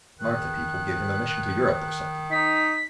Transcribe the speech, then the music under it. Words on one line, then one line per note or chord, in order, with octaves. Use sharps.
Marta people give him a mission to Europe, or something?
D#3 F#6
D#4 B6